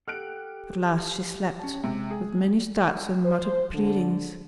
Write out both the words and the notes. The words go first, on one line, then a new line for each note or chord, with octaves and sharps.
At last she slept; with many starts, and muttered pleadings.
G4 A4 F#5 F6 F#6 D7
C#4 A5
C3 G#3
G#4
C5
D3